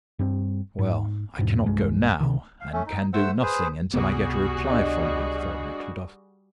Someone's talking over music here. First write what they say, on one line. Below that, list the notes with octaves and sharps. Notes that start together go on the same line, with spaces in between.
"Well, I cannot go now, and can do nothing until I get a reply from her," thought Nekhludoff.
G2 G3 C4
G#2
E2 G#2 B2
C2 G2 G#3
C3 D#3
F5
A3 C#4
D#4
A3 C5 F#5 E6
G#4 B4 C5
C#2 C3 G3 B3 F#4 G#4
D4 D5 D#5